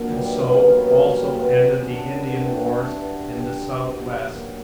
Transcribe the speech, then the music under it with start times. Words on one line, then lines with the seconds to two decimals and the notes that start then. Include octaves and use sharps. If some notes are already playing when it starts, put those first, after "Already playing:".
And so, also, ended the Indian Wars in the Southwest.
Already playing: A#2 F#3 A#3 D4 E4
0.12 G2 G3
0.22 G3
0.33 G2 A#3
0.43 B3
0.54 F#3 C#4
0.64 A#3
0.75 B2 B3
0.85 A#3
0.96 B2 A#3
1.10 G3
1.16 F#3
1.23 A#3
1.37 E3 B3
1.59 G3
1.79 F#2 C#4
1.89 D4
2.01 F#2
2.11 E4
2.21 G2 F#4
2.31 G4
2.42 E3 G4
2.52 F#4
2.63 G3 E4
2.74 D4
2.84 G2
2.94 F#4
3.05 D3 G4
3.26 G2 G4
3.36 G4
3.47 F#3
3.68 G2
3.88 F#3
4.10 F#3
4.19 G3
4.30 F#3 A#3